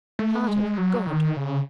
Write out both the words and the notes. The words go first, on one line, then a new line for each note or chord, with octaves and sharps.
Heart of God!
A3
G#3
F#3
D#3
C#3